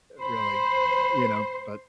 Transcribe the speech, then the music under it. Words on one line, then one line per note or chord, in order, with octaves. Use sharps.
really, uh, you know, but
C5 B5